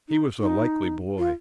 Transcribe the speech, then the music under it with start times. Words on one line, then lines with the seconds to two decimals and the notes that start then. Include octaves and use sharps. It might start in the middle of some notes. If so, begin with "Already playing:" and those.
He was a likely boy.
0.08 D#4
0.39 D#4
1.18 F4